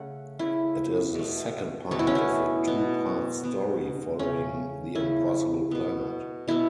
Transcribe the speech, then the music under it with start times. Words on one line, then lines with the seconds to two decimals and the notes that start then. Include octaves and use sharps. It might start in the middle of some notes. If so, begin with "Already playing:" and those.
It is the second part of a two-part story, following "The Impossible Planet".
Already playing: C#3 A3 F#5
0.39 C#3 A3 E4
1.15 B2 A3
1.91 B2 A3 F#4
1.99 E4
2.07 C#4
2.15 E4
2.68 B2 B3
3.44 B2 B3
4.19 C#3 A3 C#4
4.95 C#3 A3 E4
5.71 B2 B3
6.48 B2 B3 E4